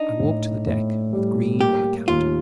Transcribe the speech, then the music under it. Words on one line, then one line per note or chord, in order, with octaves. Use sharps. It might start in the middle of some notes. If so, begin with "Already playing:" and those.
I walked the deck with Green and the captain.
Already playing: D4 D#4
A2
A2
G3
A#3 G4
D#2 F4